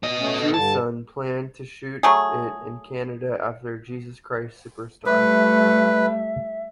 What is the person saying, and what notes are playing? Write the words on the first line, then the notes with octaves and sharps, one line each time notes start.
Jewison planned to shoot it in Canada after "Jesus Christ Superstar".
B3 D#5
A3 C#4
A4
G2 D3 A5
F#3 A3 G#4
G3 A3 B4 E5